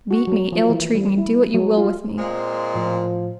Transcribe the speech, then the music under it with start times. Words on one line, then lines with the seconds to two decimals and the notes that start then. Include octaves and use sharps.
Beat me, ill-treat me, do what you will with me....
0.11 F#4
0.27 F#3
0.52 F3
0.69 E3
0.95 G3
1.18 E4
1.54 F#3
1.77 F4
2.18 A#2 G#3 C4
2.75 A2 F3